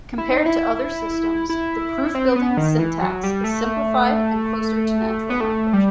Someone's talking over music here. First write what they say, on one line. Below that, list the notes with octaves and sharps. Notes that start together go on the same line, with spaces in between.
Compared to other systems, the proof-building syntax is simplified and closer to natural language.
E4
D#4
E4
E4
C4
B3
D#3
E3
F#3
G3
A3
B3
A3
G3